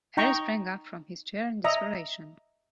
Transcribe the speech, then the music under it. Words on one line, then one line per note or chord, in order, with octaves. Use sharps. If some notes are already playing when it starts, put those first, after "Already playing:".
Harry sprang up from his chair in desperation.
D#4 G5 A#5 C#6
D#5 E5 A#5